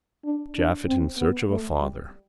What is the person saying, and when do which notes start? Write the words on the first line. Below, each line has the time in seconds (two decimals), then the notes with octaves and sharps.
Japhet in search of a father!
0.25 D4
0.56 D4
0.87 C4
1.18 B3
1.49 A3
1.79 G3